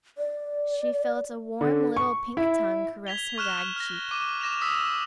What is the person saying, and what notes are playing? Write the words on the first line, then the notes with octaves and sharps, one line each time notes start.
She felt a warm little pink tongue caress her rag cheek.
D5
D3
C#6
E4
G#6 B6 F7 G7
C#6 F6 F#6 E7 G7
F6 A#6
D6 D#7
D6 A#6 E7 F7
D#6 E6 A#6 B6